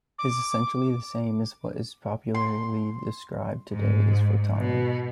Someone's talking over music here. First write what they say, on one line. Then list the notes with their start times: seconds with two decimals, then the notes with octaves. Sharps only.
It is essentially the same as what is popularly described today as photonics.
0.19 D6
2.34 C6
3.72 G#2
4.56 B2